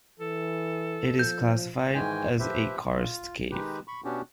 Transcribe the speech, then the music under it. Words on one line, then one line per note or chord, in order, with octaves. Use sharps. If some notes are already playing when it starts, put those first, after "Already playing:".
It is classified as a Karst cave.
E3 A4
F3 G6
G#2 D#3 E3 G#3 G5 G#5
F3 G4 B4 C5 E5
F4
D#3 G#3 D#4 G4 B4
B5 C#6
B2 B3 C#4 D4 F#4 G4